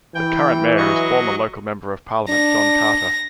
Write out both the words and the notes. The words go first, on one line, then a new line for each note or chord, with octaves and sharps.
The current mayor is former local Member of Parliament John Carter.
E3 G5
F#3 D#5 C#6
D4 A#6